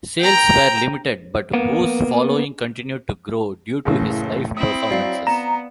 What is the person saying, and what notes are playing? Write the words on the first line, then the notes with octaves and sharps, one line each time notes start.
Sales were limited but Wu's following continued to grow due to his live performances.
G5 A#5
A#3 B3
F#1 A2 C#3 E3
C4 E4 D#6
F#3 D5 F5 A6
B3 A#5 E7